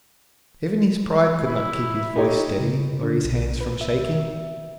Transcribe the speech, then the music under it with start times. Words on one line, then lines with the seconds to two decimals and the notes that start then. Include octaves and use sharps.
Even his pride could not keep his voice steady or his hands from shaking.
1.46 E4
2.16 D#4 G4 C#5
2.60 C#3
3.03 D3
3.24 B1
3.61 B4
3.81 E5